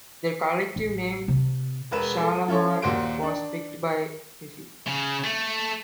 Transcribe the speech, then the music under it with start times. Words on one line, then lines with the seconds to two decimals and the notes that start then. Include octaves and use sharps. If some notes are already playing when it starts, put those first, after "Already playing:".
Their collective name, "Shalamar", was picked by Griffey.
0.76 A1
1.28 C3
1.91 E1 A#4 B4 E7
2.21 A4
2.48 F3 C#4 E4 A4 C#5
2.82 D#2 A#2 F#4 C5 D7
3.23 D4
4.87 C#3
5.25 A3